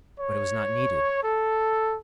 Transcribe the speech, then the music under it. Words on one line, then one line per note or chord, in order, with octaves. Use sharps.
But it was not needed.
C#5
A4